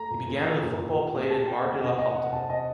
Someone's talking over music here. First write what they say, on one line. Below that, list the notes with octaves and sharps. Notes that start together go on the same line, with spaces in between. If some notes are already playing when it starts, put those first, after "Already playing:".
He began in the football played in Mar de la Plata.
Already playing: A3 A#5
A#2
A#2
A3
A#2
A#2
A3
A#2
A3 A5
A3 G5
A3 F#5
C3 D#5
C3 D#5
C3 F#5
C3 A5
C3 D#5